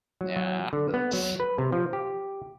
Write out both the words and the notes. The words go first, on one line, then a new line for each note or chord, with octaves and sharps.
yeah, that's
F#3
F#3
D3
B3
F#3
B4
C3
F3
G4